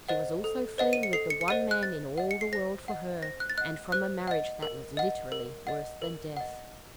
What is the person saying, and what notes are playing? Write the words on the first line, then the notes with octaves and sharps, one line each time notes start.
She was also fleeing with the one man in all the world for her, and from a marriage that was literally worse than death.
C5 D#5 F#5
A4
C5 D#5 F#5
D#7
C#7
A4 C7
C#7
C#7
C5 D#5 F#5 D#7
F#6
C5 A6
D#5 F#5
C#7
C7
C5 A#6
D#5 F#5
C5 A#6
F#6
A6
D#5 F#5 F#6
C5 F#6
D#5 F#5
A#4
D#5 F#5
A#4
D#5 F#5
A#4
D#5 F#5